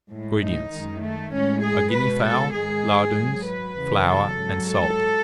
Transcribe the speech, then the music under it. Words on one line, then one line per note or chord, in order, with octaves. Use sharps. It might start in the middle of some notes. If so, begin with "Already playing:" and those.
INGREDIENTS.--A Guinea-fowl, lardoons, flour, and salt.
A2 G#3
D#4
F#2 D#3 G#3
A3
A2 G#3 C#4
G#4
B2 G#3 B4
A4
G#2 D#3 G#3 G#4
G#2 F#3
B4
E2 C#3 F#3
A4
G#2 F#3
A4